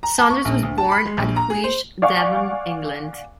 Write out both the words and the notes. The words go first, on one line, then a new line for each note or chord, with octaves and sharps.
Saunders was born at Huish, Devon, England.
A#5
A5
C#6
A#1
D2
A5
B5
G#3
A#1
A#5
G#4
C5
D5 F5 F#5 G#5 C#6 D6